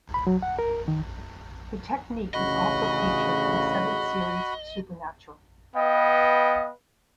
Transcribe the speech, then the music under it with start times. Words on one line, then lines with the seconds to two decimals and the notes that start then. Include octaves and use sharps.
The technique is also featured in the seventh series of "Supernatural".
0.14 B5
0.27 F#3
0.42 F#5
0.59 A#4
0.88 D#3
2.34 A1 D2 C#3 F#4 D#5 B5
5.76 B3 B4 D#5 F5 G5